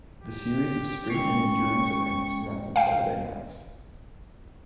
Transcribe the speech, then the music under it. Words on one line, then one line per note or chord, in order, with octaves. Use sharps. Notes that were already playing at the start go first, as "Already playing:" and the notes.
The series of sprint and endurance events runs on Saturday nights.
G4
G#3 C#4 G5 C#6
F5 G5